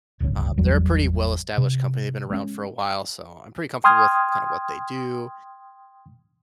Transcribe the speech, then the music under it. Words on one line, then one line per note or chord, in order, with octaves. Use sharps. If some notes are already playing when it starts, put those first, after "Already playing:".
Um, they're a pretty well established company, they've been around for a while, so, I'm pretty comfortable with kinda what they do,
D1 G1 C#2 C#4
G#1 E2 F#3 G3
C3
G#3 A#3 C#4
G5 C6 D#6 F6 G#6